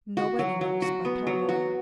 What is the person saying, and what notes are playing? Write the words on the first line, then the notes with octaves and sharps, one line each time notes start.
"Nobody knows but her lawyer."
F#4
F#3
F#3
F#4
B3
F#3
F#4